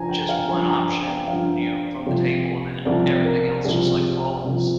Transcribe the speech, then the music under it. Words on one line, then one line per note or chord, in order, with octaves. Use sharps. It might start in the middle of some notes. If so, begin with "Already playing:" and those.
just one option, you know, from the table, and then everything else just, like, falls.
Already playing: G2 F3 G#5 A#5
G5
F5
G2 F3 G#5
A#5
G#5
G5
G2 F3 F5
C2 C3 F3
C2 C3 F3 D5
A#4
C2 C3 F3 G#4
C2 C3 F3